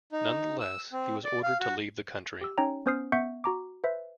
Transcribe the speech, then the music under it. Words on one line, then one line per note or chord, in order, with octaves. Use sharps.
Nonetheless he was ordered to leave the country.
D#4
E6
C4
D5
F5
F#4
G4 E6
C#4 D#4 C#5 G5 A#5
B3 C#4 C5 D#6 F6 C7
B3 E5 F#5 C#6 G6 C#7
F#4 A#5 D6
B4 C5 E5